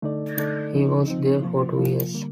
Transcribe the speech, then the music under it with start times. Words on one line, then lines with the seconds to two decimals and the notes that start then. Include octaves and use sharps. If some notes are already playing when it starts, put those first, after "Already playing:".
He was there for two years.
0.02 D3 A3 D#4 A4 D5
0.37 D3 A3 D#4 A4 D5
0.73 F3 C4 D#4
1.08 F3 C4 D#4
1.42 C3 F3 A#3 F4
1.77 C3 F3 A#3 F4
2.14 D3 G3 A#3